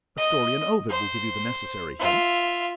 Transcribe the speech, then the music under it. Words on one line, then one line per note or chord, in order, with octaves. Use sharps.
A story in Ovid will give you the necessary hints.
D#5
C5
F4 E5